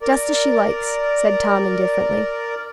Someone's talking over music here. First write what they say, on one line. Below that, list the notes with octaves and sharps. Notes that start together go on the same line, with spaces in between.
"Just as she likes," said Tom indifferently.
A#4 D5